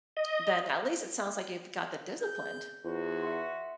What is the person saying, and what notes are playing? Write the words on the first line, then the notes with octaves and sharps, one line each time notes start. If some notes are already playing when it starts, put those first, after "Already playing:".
then at least it sounds, like, you've got the disciplined.
D#5
G#4 G6
E2 F4 F#4 C5
E5 F#5 C6